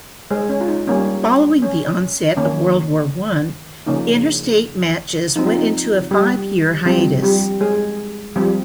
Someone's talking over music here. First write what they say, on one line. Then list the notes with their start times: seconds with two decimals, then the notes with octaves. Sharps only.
Following the onset of World War One interstate matches went into a five-year hiatus.
0.31 G#3 G#4
0.49 C#4
0.61 F4
0.68 D#4
0.87 G3 A#3 C#4
1.62 C#4
2.37 D#3 A#3 C#4
3.86 C#3 F3 A#3 C#4 D#4
5.36 F3 C4 D#4
5.47 F4
5.58 D#4
6.11 G3 G4
6.86 F3 G3 C4 F4
7.23 G3 G4
7.61 G#3 G#4
8.36 F3 G3 C4 G4